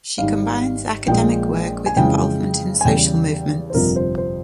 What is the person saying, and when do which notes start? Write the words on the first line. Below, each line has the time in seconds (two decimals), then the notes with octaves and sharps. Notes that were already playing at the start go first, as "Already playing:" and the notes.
She combines academic work with involvement in social movements.
0.18 G#1 G#2 G3 F5
1.07 A#1 A#2 G#3 G5
1.86 G#5
1.96 F2 C#3 E3 G#3 G5
2.81 G#5
2.85 E2 C#3 G3 G5
3.70 C5
3.74 G1 F2 C3 F3 A#4
3.96 C5
4.18 C5